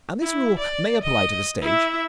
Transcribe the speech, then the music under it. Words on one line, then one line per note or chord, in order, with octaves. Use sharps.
And this rule may apply to the stage.
E4
D5
D#5
E4 E5